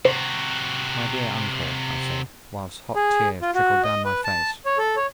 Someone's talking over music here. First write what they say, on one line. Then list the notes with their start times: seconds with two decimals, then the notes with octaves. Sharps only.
"My dear uncle," I said, whilst hot tears trickled down my face.
0.05 C3 F#4 C5
2.96 G#4
3.42 F4
3.54 F#4
3.83 D#5
4.05 B4
4.24 A5
4.66 C#5
4.78 A4
4.96 C#5